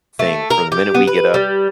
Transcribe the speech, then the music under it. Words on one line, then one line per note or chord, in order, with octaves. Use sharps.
thing., from the minute we get up
A3
A#4
G4
B3
B4
G3